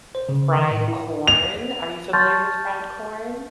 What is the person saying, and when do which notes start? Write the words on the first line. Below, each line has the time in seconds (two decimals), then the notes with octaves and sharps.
fried corn." Are you familiar with fried corn?
0.15 C5
0.29 C#3
0.58 D#3
0.71 A2
0.88 E4
1.27 F7
2.13 A5 C6 C#6 F6 G6 A6